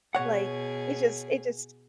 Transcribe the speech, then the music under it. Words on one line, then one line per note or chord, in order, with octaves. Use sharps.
like, it just it just
B2 G#4 C#5 F#5